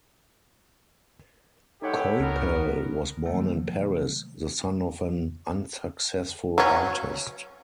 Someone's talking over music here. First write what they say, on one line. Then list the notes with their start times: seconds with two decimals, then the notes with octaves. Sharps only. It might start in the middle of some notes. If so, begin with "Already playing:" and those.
Coypel was born in Paris, the son of an unsuccessful artist.
1.82 G#3 D#4 E4 G4 A4 C#5 F#5
2.19 C#2 B3 F#4 A#4
3.26 C3 D#3 F3 F#3 A3 A#3
6.58 F#3 C#4